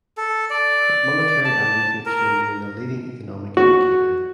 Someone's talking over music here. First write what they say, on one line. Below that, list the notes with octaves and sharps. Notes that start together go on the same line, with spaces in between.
But monetary aggregates remain a leading economic indicator.
A4
D5
A5
A#4
F#4